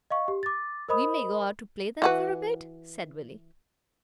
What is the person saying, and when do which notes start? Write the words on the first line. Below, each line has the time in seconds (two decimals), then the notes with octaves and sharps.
"We may go out to play then for a bit?" said Willie.
0.11 D#5 F5 C#6
0.28 G4
0.43 D6 A6
0.89 A#4 C5 D#5 B5 D#6
2.02 E3 F#4 B4